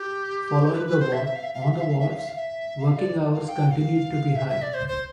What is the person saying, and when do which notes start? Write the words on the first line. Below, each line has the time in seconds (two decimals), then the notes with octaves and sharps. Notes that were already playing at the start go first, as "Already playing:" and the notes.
Following the war, on the wharves working hours continued to be high.
Already playing: G4
0.74 B4
0.87 B4
1.00 C5
1.12 E5
1.26 E5
1.35 F5
1.44 E5
1.54 F5
1.62 E5
1.72 F5
1.80 E5
1.90 F5
2.00 E5
2.10 F5
2.18 E5
2.27 F5
2.36 E5
2.81 F5
2.98 D5
3.33 F5
3.49 G5
3.67 G5
3.71 F5
4.36 E5
4.49 E5
4.62 D5
4.74 C5
4.88 C5